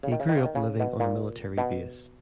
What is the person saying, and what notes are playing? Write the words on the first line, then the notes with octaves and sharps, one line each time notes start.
He grew up living on a military base.
C#3
D#3
C#3
D#3
C#3
D#3
C#3
B2
A#2
B2